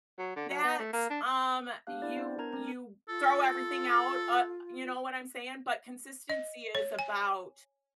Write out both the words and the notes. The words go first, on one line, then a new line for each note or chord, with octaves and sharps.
that, um, you you throw everything out, uh, you know what I'm saying? But consistency is about
F#3
D3
F#3
B3
A3
A#3
D4
B3 D4 G4 F5 F#6
D4 E4 D5
B3 C5
D4 A#4 A#5 G#6
C4 A#5
F4 A4
D#5
C#5
G#5